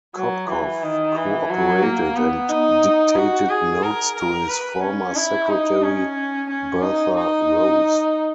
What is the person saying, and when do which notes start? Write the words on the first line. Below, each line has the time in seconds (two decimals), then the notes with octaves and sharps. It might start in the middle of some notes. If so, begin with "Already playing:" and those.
Kopkow cooperated and dictated notes to his former secretary Bertha Rose.
0.16 F#3
0.50 E3
0.83 D#3
1.16 E3
1.50 F#3
1.83 A#3
2.16 B3
2.49 D#4
3.16 F#4
3.49 G#4
3.83 A#4
4.16 A#4
4.49 B4
4.82 C#4
5.16 E4
5.49 D#4
5.83 C#4
6.50 C#4
6.82 D#4
7.16 D#4